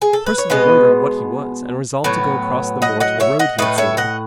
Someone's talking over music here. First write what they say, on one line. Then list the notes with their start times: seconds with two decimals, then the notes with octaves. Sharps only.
Perceval wondered what he was, and resolved to go across the moor to the road he had seen.
0.02 G#4
0.13 A4
0.26 B4
0.38 C#5
0.50 B2 G#3 B3 B4 D#5
2.04 A2 F#3 B3
2.82 D#5 F#5
3.00 D#5 F#5
3.20 C#5 E5
3.39 D#5 F#5
3.59 A2 F#3 A3 B4 D#5
3.78 C#5 E5
3.97 D#5 F#5